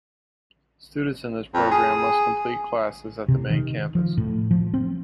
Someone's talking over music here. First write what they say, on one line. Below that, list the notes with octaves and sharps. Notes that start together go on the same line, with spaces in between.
Students in this program must complete classes at the main campus.
F2
G#4
C3
D#3
F3
A2
F3
C4